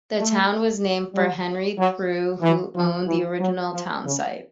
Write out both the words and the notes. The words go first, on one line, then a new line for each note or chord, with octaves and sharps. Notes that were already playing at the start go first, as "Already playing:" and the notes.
The town was named for Henry Prue, who owned the original townsite.
A3
G3
F#3
E3
F3
E3
F#3
F3
C#3